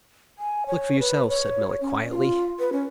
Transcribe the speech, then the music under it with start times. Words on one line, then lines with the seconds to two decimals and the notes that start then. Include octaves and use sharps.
"Look for yourselves," said Melick, quietly.
0.39 G#5
0.67 C#5
1.00 B4
1.29 C#5
1.81 C#4
2.09 F4
2.59 B4
2.72 C#4